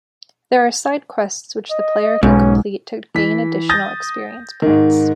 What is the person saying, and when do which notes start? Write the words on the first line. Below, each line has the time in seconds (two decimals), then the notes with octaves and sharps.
There are side quests which the player can complete to gain additional experience points.
1.71 D#5
2.23 B1 G#2 C#4
3.15 E3 B6
3.69 D#6 G6 A6 A#6
4.62 G#2 D#3